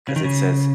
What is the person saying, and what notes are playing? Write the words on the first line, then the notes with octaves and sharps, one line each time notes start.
'cause it says,
C#3
D#3
C#3